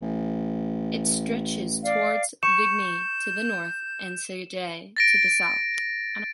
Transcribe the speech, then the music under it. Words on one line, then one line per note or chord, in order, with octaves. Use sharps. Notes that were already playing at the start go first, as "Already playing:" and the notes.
It stretches toward Vigny to the north and Sagy to the south.
A1
D5 F5
C#6 G6 E7
A6 A#6 D7